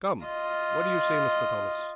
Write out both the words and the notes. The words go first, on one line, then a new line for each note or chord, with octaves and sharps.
"Come, what do you say, Mr. Thomas?"
F4 D#5